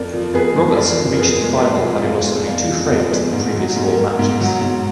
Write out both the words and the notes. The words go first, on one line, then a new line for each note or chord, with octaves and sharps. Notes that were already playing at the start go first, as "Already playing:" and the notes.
Robertson reached the final having lost only two frames in the previous four matches.
Already playing: F2 A#4 D5
F3
F2 G#4 B4
G#3
F2 A#4 D5
F3
A#4
F2 G#4 B4
G#3
D5
F2 B4 D#5
F3
F2 D5 F5
G#3
F2 D5 F5
F3
F2 D#5
D5
G#3 B4 D#5
G#2
F#3
G#2
A#3
G#2
F#3
G#2